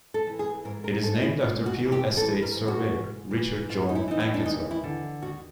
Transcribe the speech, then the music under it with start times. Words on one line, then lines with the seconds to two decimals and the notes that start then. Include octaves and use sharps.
It is named after Peel Estate's surveyor, Richard John Anketell.
0.14 A4
0.27 E3
0.39 G#4
0.65 G#2 A#4
0.84 A#4
1.03 G#2 A4
1.15 D#4
1.22 E4
1.41 G#2 F4
1.66 F#4
1.79 E3
1.92 G4
2.17 E3 A4
2.42 A#4
2.55 G#2
2.68 F#4
2.93 G#2
3.31 E3
3.69 G#2 F4
3.89 D#4
3.95 E4
4.08 E3 D#4
4.20 E4
4.34 D4
4.45 D#2 D#4
4.71 E4
4.84 D3
5.22 D#2 F#4